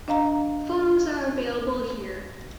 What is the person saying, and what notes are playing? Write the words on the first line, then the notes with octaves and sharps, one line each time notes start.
Photos are available here.
D4 D#5 F5 A#5